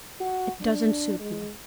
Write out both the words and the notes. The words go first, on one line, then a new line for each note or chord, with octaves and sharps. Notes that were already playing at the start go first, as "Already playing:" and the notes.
It doesn't suit me.
F#4
D4
G#3